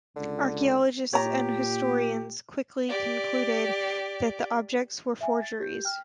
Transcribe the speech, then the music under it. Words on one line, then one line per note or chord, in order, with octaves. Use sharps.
Archaeologists and historians quickly concluded that the objects were forgeries.
C#2 D3
A#2 G4 C#5 A#5
G4 D5
E5 G#5
A6
G4 G6
G5 F6